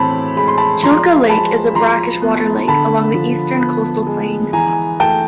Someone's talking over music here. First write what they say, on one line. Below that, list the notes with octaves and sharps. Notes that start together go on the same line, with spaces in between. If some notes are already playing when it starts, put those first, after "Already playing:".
Chilka Lake is a brackish water lake along the eastern coastal plain.
Already playing: A2 E3 C4 A5 B5
G#3 B5
C6
A5 B5
F3 A#5 C6
G#3 A5 B5
F3 A#5 C6
B3
D3 A5 B5
F3
B3
G#3
E3 G#5 A#5
A3 G5 A5